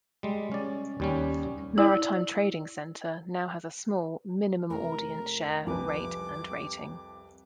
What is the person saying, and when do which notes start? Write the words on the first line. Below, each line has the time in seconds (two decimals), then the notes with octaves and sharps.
Maritime Trading Center now has a small, minimal audience share, rate, and rating.
0.23 G3 G#3
0.52 C#4 D5
1.00 D#2 G3 C#4
1.78 E4 D5
4.70 F1 E4 A#4
5.67 C2 F2 B4 G#5 D6